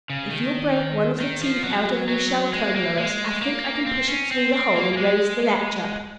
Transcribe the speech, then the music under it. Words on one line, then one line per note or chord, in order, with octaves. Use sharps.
"If you'll break one of the teeth out of your shell comb, Lois, I think I can push it through the hole and raise the latch up."
C#3
D#3
D#3
F3
F#3
F#3
G#3
A#3
G#3
A#3
C4
C#4
C4
C4
A#3
A#3
G#3